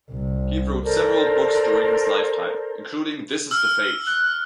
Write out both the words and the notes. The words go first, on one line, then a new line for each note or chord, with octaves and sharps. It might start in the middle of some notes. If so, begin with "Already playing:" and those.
He wrote several books during his lifetime, including "This is The Faith".
C2
A4 A#4 C5 D5
E6 F6
F#6